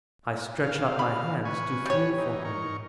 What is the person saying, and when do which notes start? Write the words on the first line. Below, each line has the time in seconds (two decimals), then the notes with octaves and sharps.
I stretched out my hands to feel for him.
0.63 F5
0.99 B5
1.45 B4 G#5 C#6
1.86 G3 C#5
2.18 E3 D#4
2.44 D#4 A#4 C#6